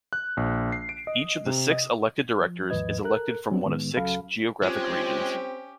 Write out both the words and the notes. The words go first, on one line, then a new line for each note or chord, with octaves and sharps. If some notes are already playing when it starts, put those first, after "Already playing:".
Each of the six elected directors is elected from one of six geographic regions.
F#6
A#1
C7
D7
D#5
C3
D#5
F3
D#2 G#2 F3 B4 D#5 G#6
A4 A#4 F#6
F#3 G3 B3 C4 D4
A2 D#3 G#3 B3
C#2 F#3 C#4 A4 F5 B5
G#3 C4 C#4 F4 G4